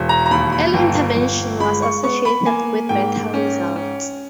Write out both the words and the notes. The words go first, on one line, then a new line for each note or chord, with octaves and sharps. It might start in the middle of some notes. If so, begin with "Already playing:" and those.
Early intervention was associated with better results.
Already playing: E1
A#5
A#5
D#2 B5
B5
G1 G5
G1
G#3 B5
C#6
B3 C#6
B5
A#3 G#5
G#2 G5
C#4
C#4